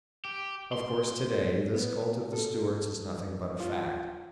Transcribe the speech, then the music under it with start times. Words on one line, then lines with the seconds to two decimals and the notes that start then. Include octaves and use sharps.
Of course, to-day this cult of the Stuarts is nothing but a fad.
0.25 G4
0.73 C6
1.74 B3
2.33 A4
3.60 F4